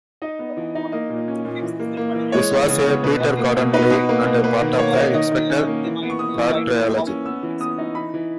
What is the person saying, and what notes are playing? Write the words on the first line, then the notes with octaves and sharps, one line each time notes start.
This was a Peter Gordon play, and part of the 'Inspector Pratt' trilogy.
D#4 D#5
B3
E3
D#4
A#3 D#5
A#2
C#4
A#2
E3
A#3
A#3
E3
G#3 C#5
B3
C#3
B3
B2 B4
B2
A#3
B2
D#4 B4
B2
A#3 B4
B2
A#3 B4
D#3
A#3 C#5
D#4
D#3 D#5
D#3
C#4
A#3
E3
B3
C#6
B3 D#6
E3
A#3 E6
E3
E3
C#4
B3 E6
E3
B3 D#6
D#4
E3 B5
E3